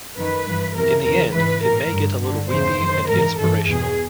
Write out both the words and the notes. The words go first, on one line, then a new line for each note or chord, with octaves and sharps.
In the end it may get a little weepy and inspirational.
F#2 D#3 B4
G2 E3
E2 C3 E3 A#4
E2 C#3 E3 A#4
G#2 E3 B4
A2 E3 A#4
G2 D3
G2 D3
E2 C#3 E3 C5
F#2 D#3
G#2 E3 A#4
G2 E3 A4
E2 B2 G#4